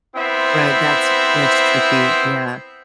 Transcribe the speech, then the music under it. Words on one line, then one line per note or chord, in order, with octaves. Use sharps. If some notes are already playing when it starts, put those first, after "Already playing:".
Right, that's that's tricky. Yeah.
B3 C4 E4 C5 E5